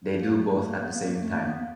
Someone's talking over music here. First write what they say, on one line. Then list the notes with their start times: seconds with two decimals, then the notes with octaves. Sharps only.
They do both at the same time.
0.15 A#3
0.42 A#3
0.55 A3
0.68 A#3
0.81 B3
0.94 A#3
1.07 A#3
1.21 A3
1.34 A#3
1.47 B3
1.60 A#3